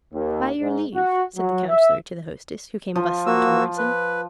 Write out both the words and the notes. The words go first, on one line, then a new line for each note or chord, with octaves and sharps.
"By your leave!" said the Councillor to the Hostess, who came bustling towards him.
D#2
G#2
F#4
F#3
E5
F3
A#3 F#4 E6
B4